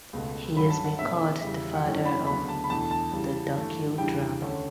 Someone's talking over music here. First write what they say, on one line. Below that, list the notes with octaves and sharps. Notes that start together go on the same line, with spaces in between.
He has been called the father of the docu-drama.
C#2 B2 A3
G2 D3 F#3 B5
A5
F#5
B2 A3 C#4 E5
E2 C#3 G3
F#5
F#2 E3 A3 C#4 G5
B5
D2 C#3 F#3 B3 D4 B5
A5
B5
E2 B2 A3 D4 A5
A5
C#3 E3 G3
G2 E3 A3 D4
E2 C#3 E3 G3 D4 G5
D2 D3 A3 C#4